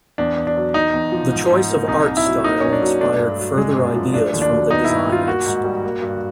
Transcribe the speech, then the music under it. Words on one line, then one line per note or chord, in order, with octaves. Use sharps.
The choice of art style inspired further ideas from the designers.
E2 D4
E2
D4
F#3
E2 D#4
E2
F3
G#2
G#2
A#3
C2 D#4
C2
E4
F#3
A#3 D#4
F#2 C#4
D4
F#3
A3 D4
G2
F#3
G#3
F#2
F3
A3 D4
D#2
D4
F#3
B3 D#4
E4
G2
G3 F4
A#3 F#4
G#2
G3
A#3
G2